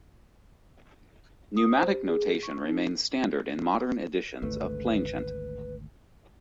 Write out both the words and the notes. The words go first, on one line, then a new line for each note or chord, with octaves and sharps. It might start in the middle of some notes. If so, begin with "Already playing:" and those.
Neumatic notation remains standard in modern editions of plainchant.
D#6
C5
G4
G#4
C#6
D#4
G#1 D2 A3 B4